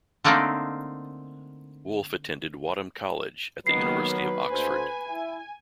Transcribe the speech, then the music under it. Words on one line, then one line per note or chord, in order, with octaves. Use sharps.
Wolfe attended Wadham College at the University of Oxford.
D3 A3 A#3 C4 D4 D#4
D#3 F#3 A#3 B3 B4 C7
D2 C5 G#5
E4